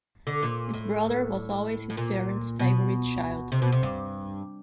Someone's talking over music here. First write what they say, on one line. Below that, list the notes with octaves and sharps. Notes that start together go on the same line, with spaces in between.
His brother was always his parents favourite child.
D3
A#2
A2
A2
A#2
B2
C3
B2
C3
G2